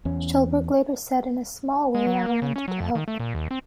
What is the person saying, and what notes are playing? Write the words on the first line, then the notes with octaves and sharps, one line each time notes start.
Schulberg later said: In a small way, I wanted to help...
E2 C#4
G#3
F#3
A#3
C#3
C#4
F#3
F2
D#3
A3
A#2
D#2
C4